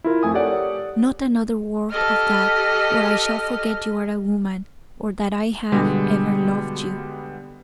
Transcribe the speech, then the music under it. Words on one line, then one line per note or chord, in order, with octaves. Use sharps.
"Not another word of that, or I shall forget you are a woman or that I have ever loved you."
E4 F4 A#4
F2 A3 G#5 D#6
G4 A4 A#4 C#5 D5 F#5
G4 A4 D#5 F6
B2 D3 G3 G#3 B3